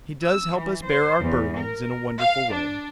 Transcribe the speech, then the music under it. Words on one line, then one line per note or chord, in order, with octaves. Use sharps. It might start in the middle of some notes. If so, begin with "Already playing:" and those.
"He does help us bear our burdens in a wonderful way."
E6
E3
C5
E2
A#4
F5
D4